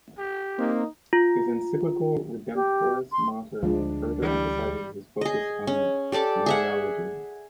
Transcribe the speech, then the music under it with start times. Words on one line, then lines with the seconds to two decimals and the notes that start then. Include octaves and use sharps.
His encyclical "Redemptoris Mater" further emphasizes his focus on Mariology.
0.18 G4
0.59 A#3 C4 D#4
1.13 F4
2.55 G4
3.12 C6
3.63 D2 F3 G#3 D4
4.23 E3 G3
5.21 G#4 D#5
5.67 C#4
6.12 G4 A4 D5 A5
6.46 G#4 E5 F#5